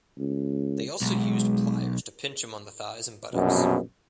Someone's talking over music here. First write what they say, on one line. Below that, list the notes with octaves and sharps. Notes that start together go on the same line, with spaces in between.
They also used pliers to pinch him on the thighs and buttocks.
C#2
B1 G#3
A#1 F#2 B2